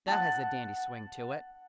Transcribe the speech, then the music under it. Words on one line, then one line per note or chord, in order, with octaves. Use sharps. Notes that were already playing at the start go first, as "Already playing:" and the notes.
"That has a dandy swing to it."
F#5 A5